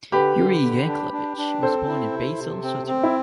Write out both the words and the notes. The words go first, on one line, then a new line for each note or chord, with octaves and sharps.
Yuri Yankelevich was born in Basel, Switzerland.
D3 G4 B4
D3
D3
D4
D4
D4
C4 A4 C5
E4
C3
C3
C4
C4
E4